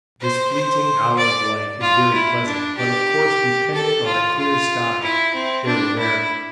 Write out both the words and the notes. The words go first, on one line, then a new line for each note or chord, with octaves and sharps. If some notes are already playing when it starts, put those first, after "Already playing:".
This fleeting hour of light is very pleasant, but of course dependent on a clear sky, very rare.
C5
C5
D5
F4
E4
D4
G4
A4
F4
F4
E4
C4
D4
E4